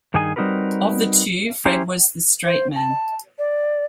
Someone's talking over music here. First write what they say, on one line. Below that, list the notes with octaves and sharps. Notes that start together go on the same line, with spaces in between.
Of the two, Fred was the "straight man".
G2 D#3 D#4 G#4 D#5 G#5
G3 C4 D#4 F#4 A#4 B4
C#4 E4 G4 C5 A#5
C5
A5
D5